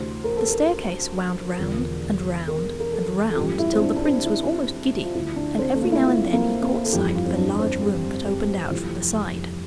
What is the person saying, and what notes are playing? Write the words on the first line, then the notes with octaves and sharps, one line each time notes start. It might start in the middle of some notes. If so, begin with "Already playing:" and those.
The staircase wound round and round and round, till the prince was almost giddy, and every now and then he caught sight of a large room that opened out from the side.
Already playing: D2 C3 E3 C5
A#4
A4
A#4
E1 E2 D3 F3
A#4
A#4
A4
A4
A1 G2 F3 G4
E4
C4
D4
D4
C4
E4
F4
D2 D3 F3 E4
D4
C4
A3
A#3
E4
F4
A#3
A#3
A4
G1 F2 E3 G4
G4
F4
C4
D4
C4
G4
G4
F1 F2 C3 E3